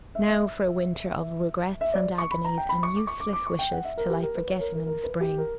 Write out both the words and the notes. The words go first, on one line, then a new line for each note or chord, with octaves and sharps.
Now for a winter of regrets and agonies and useless wishes, till I forget him in the spring.
E5
E5
E5
D5
C#6
B5
A#5
G5
B5
C#6
D6
C#6
D6
D6
C#6
G5
F#5
E5
A#4
G4
A#4
B4
C#5
A#4
A#4
A#4
B4
G4
A#4